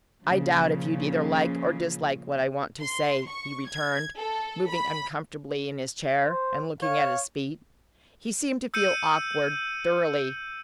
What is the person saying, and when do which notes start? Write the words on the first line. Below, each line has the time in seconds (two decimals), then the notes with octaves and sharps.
"I doubt if you'd either like or dislike what I want to say," he returned, moving uncomfortably in his chair and looking at his feet--he seemed to feel awkward, thoroughly.
0.25 A#2 C#3 F3
2.80 C6
3.27 C#6
3.68 G#6
4.19 A4
4.70 B5
6.27 C5
6.82 C#5 F5
8.74 E6 G6 C#7 D#7